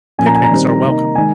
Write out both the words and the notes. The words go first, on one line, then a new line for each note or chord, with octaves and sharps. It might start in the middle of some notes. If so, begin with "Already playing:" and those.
Picnics are welcome.
A#2 F3 A#3 C#4 G#5
A#5
G#5
A#5
D#3 G3 C4
C3 D#3 A#3 D#4
D#3 G#3 G#5